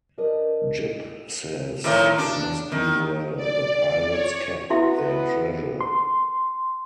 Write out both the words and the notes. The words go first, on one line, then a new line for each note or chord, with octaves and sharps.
Jip says it must be where the pirates kept their treasure.
D4 A#4 B4 D#5
A2 D#3 F3
D4
D#3
D5
C#5
B3 E4 F#4 E5
C6